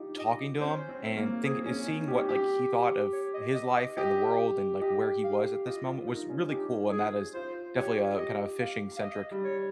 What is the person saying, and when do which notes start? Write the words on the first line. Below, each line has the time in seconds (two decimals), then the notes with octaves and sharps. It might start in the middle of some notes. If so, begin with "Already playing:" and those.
talking to him and think eh, seeing what like he thought of his life and the world and like where he was at this moment was really cool, and that is definitely a kinda a fishing-centric,
Already playing: D#4 F4 G4
0.18 D#5
0.60 C#4 C5
0.89 C4
1.05 C4
1.17 A#3
1.44 C4 G#4
1.65 C#4
1.87 D#4
2.08 G4
2.29 G4
3.13 C#5
3.34 D#5
3.55 D#5
3.76 D#5
3.97 G4 D#5
4.81 G4 D#5
5.24 F5
5.66 F4 D#5
5.87 F4
6.07 D#4 A#4
6.29 C#4
6.49 D#4 G4
6.92 G#4
7.34 F4 C5
7.76 G4 C#5
8.18 D#5
8.60 F5
8.97 F5
9.03 D#5
9.31 G3
9.44 C#5